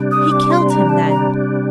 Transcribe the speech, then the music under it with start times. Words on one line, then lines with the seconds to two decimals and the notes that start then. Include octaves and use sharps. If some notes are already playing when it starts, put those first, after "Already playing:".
'He killed him, then.'
Already playing: C3 G3 D4
0.11 D#6
0.31 D6
0.51 C6
0.70 A#5
0.89 A5
1.10 A#5